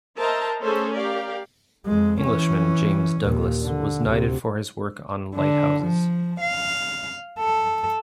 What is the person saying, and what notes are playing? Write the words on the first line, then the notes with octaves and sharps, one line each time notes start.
Englishman James Douglass was knighted for his work on lighthouses.
A#4 C5 D#5 E5 A5 A#5
A3 C#4 G#4 A4 C5
G4 A#4 D5 F5
F2 G#3
E3 C#4
D#2 A#2
D3
D2 C3
D3
F3
F5
A4